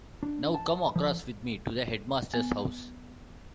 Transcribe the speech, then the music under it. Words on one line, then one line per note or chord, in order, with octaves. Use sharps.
Now come across with me to the headmaster's house.
D4
A5
F3
B3